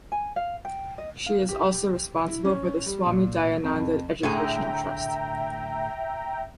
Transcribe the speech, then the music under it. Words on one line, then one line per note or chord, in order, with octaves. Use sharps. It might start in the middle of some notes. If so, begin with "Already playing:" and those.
She is also responsible for the Swami Dayananda Educational Trust.
G#5
F5
G5
D#5
F5
G4
E4
C#4
G3
A#2
F2
F2
A2 D3 G#4 E5 G5 A#5